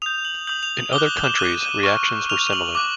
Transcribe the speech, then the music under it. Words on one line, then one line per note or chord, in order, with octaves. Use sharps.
In other countries, reactions were similar.
D#6 G6 F7
F#7
D#6 G6 F#7
F7
F#7
D6 G7
F#6
F7
E7
D6 F#6 D#7
D#7
C#6 F6
C#6 F6 F7
F#7
D6 F#6